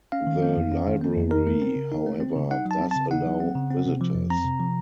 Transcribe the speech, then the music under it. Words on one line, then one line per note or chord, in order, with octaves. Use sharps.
The library, however, does allow visitors.
C#4 F5
D#3
A#3
F2
C#4
D#3
A#3
F2
D#4 A#4
A3
C4
C#3
D#4
A3
C4
C#3
D#4 F#5
F#3
A5
C4
C#3 A5
D#4 F#5
F#3
C4
C#3
C4
C3
F3
F2
C4 A#5
C3
F3